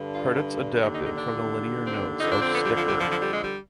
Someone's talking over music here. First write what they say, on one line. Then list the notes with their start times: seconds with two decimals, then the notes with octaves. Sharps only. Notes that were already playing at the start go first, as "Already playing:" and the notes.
Credits adapted from the liner notes of "Sticker".
Already playing: G2 D3
0.14 F4
0.82 D#2 D3 D#4
0.94 D#4
1.05 D#4
1.16 D4
1.86 C4
2.20 F2 D3 D#4
2.32 D4
2.42 C4
2.54 B3
2.65 G3
2.76 F3
2.88 G3
3.00 F3
3.11 F3
3.22 G3
3.33 G#3
3.44 G3